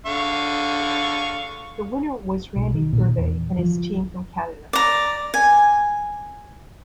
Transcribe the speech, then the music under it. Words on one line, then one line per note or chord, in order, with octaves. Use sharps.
The winner was Randy Ferbey and his team from Canada.
D3 F5 C#6
B1
D#3
A#2
E2
F3
D5 A#5
G#5